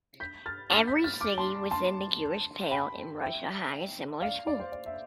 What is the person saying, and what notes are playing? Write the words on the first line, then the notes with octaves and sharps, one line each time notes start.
Every city within the Jewish Pale in Russia had a similar school.
G6 B6
F6 A6
F6 A6
G6 B6
F6 A6
D6 F6
A5 C6
A5 C6
G5 B5
E5 G5
D5 F5
D5
C5
D5
E5